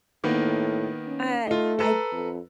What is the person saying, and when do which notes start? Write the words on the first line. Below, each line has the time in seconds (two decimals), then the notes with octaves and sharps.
uh, I
0.24 A2 D#3 A#3 B3
1.07 C#4
1.47 A3 D#4 F4
1.79 A4 B4 A#5
2.12 F2